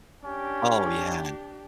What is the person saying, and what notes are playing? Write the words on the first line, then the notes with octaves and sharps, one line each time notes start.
Oh, yeah.
C#4 D4 G4